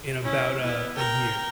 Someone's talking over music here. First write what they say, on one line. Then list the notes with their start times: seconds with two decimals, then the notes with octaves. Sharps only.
in about a a year.
0.23 C#4 E4
0.61 B3 E4
0.96 A#4 G5